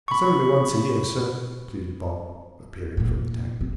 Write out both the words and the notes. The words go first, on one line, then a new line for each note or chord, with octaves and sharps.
"It's only once a year, sir," pleaded Bob, appearing from the Tank.
B5 C#6
F1 A#2
C4